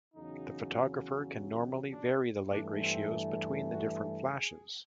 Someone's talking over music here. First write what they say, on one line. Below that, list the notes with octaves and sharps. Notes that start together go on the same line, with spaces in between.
The photographer can normally vary the light ratios between the different flashes.
E2 C#3 F#3 D#4
D4
G2 E3 A3 D4
C4
F#4
G#4